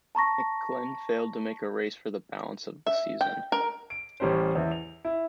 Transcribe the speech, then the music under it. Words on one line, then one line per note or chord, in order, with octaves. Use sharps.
McGlynn failed to make a race for the balance of the season.
A5 A#5 C#6 A#6
E5
G5
A#4
D7
A1 G3 C#4 C5
E2 E4
F7
E4